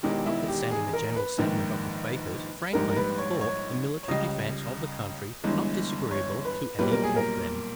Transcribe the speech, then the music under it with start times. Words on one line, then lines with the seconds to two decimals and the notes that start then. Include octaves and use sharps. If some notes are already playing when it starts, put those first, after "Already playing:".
Notwithstanding the general sentiments of the Quakers, Franklin thought the military defence of the country not disagreeable to any of them.
0.03 E1 E2 D#3 G#3 G4
0.26 E4
0.48 G4
0.71 G#4
0.93 A#4
1.16 B4
1.38 A#1 G#2 D#3
2.73 A#1 G#2 G3 A#4
2.90 A#4
2.96 B4
3.18 C#5
3.41 C#5
4.03 C#5
4.08 C#2 C#3 G3 D#5
5.44 G1 G2 E3 G#3
6.11 C#5
6.45 B4
6.79 B1 A#2 G3 B4
6.91 A#4
7.04 G#4
7.16 A#4